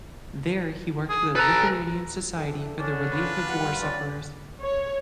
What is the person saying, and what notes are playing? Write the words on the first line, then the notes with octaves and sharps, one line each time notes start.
There he worked for the Lithuanian Society for the Relief of War Sufferers.
G#4
A4 B4 A#5
E3 D4 A4
D3 C#4 D4
F4 B4
G2 F#5
C#4 D5
C#5